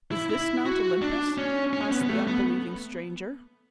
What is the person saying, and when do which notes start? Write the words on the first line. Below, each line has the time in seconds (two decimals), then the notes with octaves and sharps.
"Is this Mount Olympus?" asks the unbelieving stranger.
0.11 E4
0.30 E4
0.66 F#4
1.02 D4
1.38 C#4
1.73 C#4
1.91 B3
2.02 B3
2.09 A3
2.28 B3